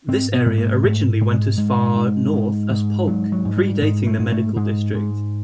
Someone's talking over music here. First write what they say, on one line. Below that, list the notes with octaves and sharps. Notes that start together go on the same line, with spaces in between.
This area originally went as far north as Polk, pre-dating the Medical district.
G#2 C4
B3
G#2
A#3
G#2 A3
G#2
G#3
G#2
G#2
G#2
G#2
G#2 F#3
F#3
G#2
G3
G#2 G#3
A3
G#2
A3
G#2 G#3
G#2